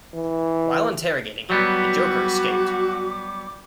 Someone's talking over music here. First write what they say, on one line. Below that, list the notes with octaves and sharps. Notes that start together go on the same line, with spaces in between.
While interrogating him, the Joker escaped.
E3
F#3 G3 B3 F#4 D6